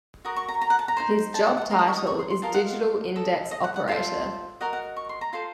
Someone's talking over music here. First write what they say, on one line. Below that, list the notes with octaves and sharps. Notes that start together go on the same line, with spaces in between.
His job title is digital index operator.
F#4 A#4 D#6
C#6
A#5
A#5
F#5
A5
A#5
D#4 A4 C5
A5
F#5
F#5
D#4 A#4 D#5 F5
D#6
C#6
D#6
C#6
C6
C6
F4 A#4 D#5 A5
F#5
F5
A4 D#5
D#5
F#5
F#5
F4 A4 C5 A5
F#4 A#4 D#5 F#5
F#5
C#6
C6
A#5
F4 A4 C5 C6